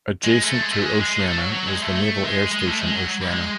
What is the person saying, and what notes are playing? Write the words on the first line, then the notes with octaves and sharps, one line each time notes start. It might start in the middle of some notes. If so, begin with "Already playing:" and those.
Adjacent to Oceana is the Naval Air Station Oceana.
G#3
A3
G#3
A3
G#3
G#3
A3
F#3
F#3
G#3
A3
A3
G#3
G#3
A3
G#3
F#3
G#3